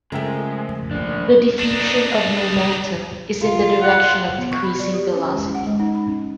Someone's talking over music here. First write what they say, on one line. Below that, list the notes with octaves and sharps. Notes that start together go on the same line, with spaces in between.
The diffusion of momentum is in the direction of decreasing velocity.
C#3 F3 G#3 A3 A#4 E5 G5
D3 A#3 D4
D4 D#4
F4
F#5
B3
C#6
B5
D5
G4
C#4
G#3
F#5
G#3
D#4
B5
C#4